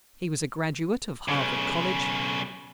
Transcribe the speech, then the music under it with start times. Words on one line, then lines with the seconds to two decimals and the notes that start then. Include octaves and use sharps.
He was a graduate of Harvard college.
1.28 B1 C#3